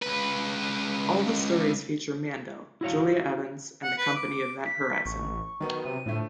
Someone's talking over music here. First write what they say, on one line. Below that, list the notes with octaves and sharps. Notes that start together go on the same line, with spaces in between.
All the stories feature Mandel, Julia Evans and the company Event Horizon.
C#2 B4
E4 F#4 C#5 F5
F#5
B4
D6
B6
A1 C#6
D#3 F#3 B3
C3 D#7
A2 D3 F3 A3